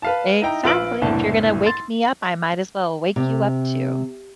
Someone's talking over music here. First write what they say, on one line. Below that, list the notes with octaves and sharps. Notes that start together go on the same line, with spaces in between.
Exactly, if you're gonna wake me up, I might as well wake you up too.
B4 F5 A5
D#4 E4 G5 A#5
A#1 F4 B4 E6 D7 F#7
F#1 C2 A2 B3 D4 A5
C6 A6
C3